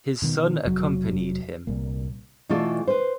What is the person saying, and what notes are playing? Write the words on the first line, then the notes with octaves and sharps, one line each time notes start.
His son accompanied him.
B2 D#3 B3
F1 F#3
C2 A#2 A#3
B2 E3 A3 F4 A4 D5
B4 C5